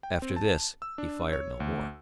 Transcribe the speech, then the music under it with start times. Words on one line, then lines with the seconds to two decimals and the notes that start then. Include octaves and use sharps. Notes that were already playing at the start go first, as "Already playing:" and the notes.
After this he fired no more.
0.03 G5
0.22 C4
0.36 A5
0.82 E6
0.98 D4
1.33 C#5
1.60 D2